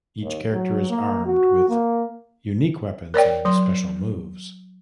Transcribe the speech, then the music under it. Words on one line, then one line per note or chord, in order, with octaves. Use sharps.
Each character is armed with unique weapons and special moves.
D#2
F#3
A#3
F#4
A#3
A#4 C#5 D5 G5
F#3 C6